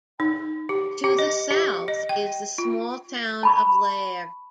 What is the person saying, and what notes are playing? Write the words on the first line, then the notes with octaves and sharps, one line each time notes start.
To the south is the small town of Lairg.
D#4
G4
G4
D#5
G4
D#5
G5
F4
A5 B5 C#6